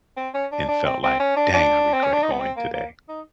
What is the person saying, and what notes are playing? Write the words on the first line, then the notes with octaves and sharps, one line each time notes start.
and felt like, "Dang, I regret going today."
C4
C#4
D4
D4
C4
C4
C#4
D4
D4
C4
C#4
D4
D#4
B3
C4
A#3
A#3
D#4